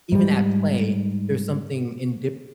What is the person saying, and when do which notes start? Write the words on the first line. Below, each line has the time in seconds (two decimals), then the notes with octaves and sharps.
even at play, there's something indifference
0.12 G#2 G3